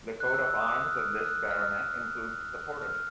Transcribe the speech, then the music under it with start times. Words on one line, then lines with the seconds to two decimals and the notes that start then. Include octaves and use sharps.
The coat of arms of this baronet includes supporters.
0.20 F#6
0.34 E6
0.46 E6
0.60 D#6
0.73 E6
0.85 F6
0.98 F6
1.12 F6
1.25 F#6
1.51 F6
2.81 F6